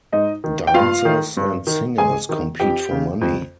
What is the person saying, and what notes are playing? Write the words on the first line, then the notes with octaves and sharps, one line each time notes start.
Dancers and singers compete for money.
G#2 D#4 D#5
D#3
G5
G2 F4 F5
D#3
G2
D#3
G#2 G#4 G#5
D#3
F2 G4 G5
C#3
F2